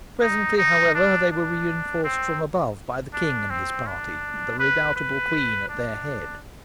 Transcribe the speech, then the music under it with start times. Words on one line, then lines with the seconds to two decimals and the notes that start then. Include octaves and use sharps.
Presently, however, they were reinforced from above by the king and his party, with the redoubtable queen at their head.
0.21 D#4
0.58 D#4
0.95 D4
1.31 D4
2.04 C4
3.13 D4
3.50 C4
3.87 D4
4.60 B4
4.96 B4
5.69 D4